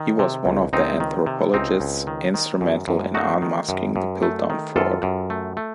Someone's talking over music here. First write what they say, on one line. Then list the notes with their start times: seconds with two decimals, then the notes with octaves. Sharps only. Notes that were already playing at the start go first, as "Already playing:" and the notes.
He was one of the anthropologists instrumental in unmasking the Piltdown fraud.
Already playing: D#3
0.19 C3
0.46 C#2
0.73 C#2 C4 D#4
1.00 D#3
1.26 C3
1.54 C#2 C4 D#4
1.80 C#2
2.07 D#3
2.34 D#3
2.61 F#2
2.88 F#2
3.15 A3 D#4 F#4
3.42 D#3
3.69 F#2
3.96 F#2
4.23 A3
4.50 D#3
4.76 F#2 F4 A4
5.03 F#2
5.30 A3
5.57 A3